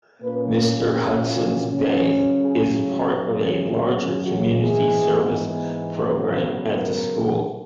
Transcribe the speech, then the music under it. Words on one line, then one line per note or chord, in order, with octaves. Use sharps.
Mr. Hudson's Bay is part of a larger community service program at the school.
A#2 A#3 C#4 B4
A#4
G#4
F#4
C#3 F#3 C#4
G#4
F#2 C#3 F#3 A#4
G#4
F#4
F#4
G#2 E3 B3 G#4
C#3 F#3 B3
A#4